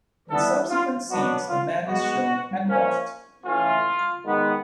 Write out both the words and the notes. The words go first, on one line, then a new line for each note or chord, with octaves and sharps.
In subsequent scenes, the man is shown handcuffed.
E3 G3 B3 E4 A4
F4
B2 F#3 B3 D4 F#4
F4
B2 G#3 B3 F#4
F3 A#3 C#4
E3 A3 C#4 F4
D#3 G#3 B3